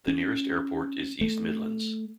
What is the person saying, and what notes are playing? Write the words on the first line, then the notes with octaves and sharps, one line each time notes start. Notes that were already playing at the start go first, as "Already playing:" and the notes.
The nearest airport is East Midlands.
C#4
A3